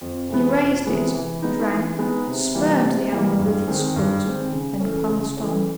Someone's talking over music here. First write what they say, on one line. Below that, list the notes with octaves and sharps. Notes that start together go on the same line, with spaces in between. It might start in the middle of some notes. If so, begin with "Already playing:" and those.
He raised it, drank, spurned the animal with his foot, and passed on.
F2
C3 E3 G#3 B3
F2
C3 E3 G#3 B3
E3
G#3 B3 D#4
E3
G#3 B3 D#4
C3
E3 G3 A#3
C3
E3 G3 A#3
G2
D#3 G#3 C4
G2
D#3 G#3 C4
C#3
E3 A3 C#4
C#3
E3 A3 C#4